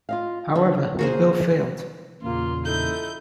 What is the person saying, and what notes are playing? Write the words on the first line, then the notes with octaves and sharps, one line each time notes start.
However, the bill failed.
F4 D#5 F5
D3 D#4
A#3 F#4 G#4 A#4 C5
E2 A#2 C#3 A#3 F4 C6
D#4 E4 A4 G6